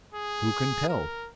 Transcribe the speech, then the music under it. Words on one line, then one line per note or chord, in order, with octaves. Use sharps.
Who can tell?
G#4
A#4